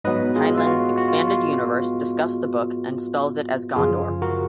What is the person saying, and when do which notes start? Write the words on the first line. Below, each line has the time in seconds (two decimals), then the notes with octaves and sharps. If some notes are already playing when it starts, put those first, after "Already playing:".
Heinlein's "Expanded Universe" discusses the book, and spells it as Gondor.
0.04 G#2 F#3 B3 B4 D#5
0.36 F4 G#4
0.57 F4
0.67 F#4
0.98 F#4
1.08 F4
1.28 F4
3.76 F#2 C#3 F3 F4 G#4
4.22 F#4 A#4